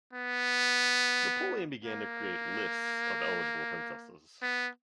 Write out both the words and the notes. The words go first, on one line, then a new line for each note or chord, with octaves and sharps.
Napoleon began to create lists of eligible princesses.
B3
A#3
B3